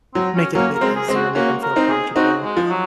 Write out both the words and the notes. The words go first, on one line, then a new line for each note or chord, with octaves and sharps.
make it a bit easier, make them feel comfortable.
F#3 C4
C#4
F#3 A#3 C#4
A#4
G#3 C4
G#4
G#3 C4
F#4
A#3 C#4 F#4
A#4
C4 D#4
G#4
C4 D#4 F#4
G#3
F3
F#3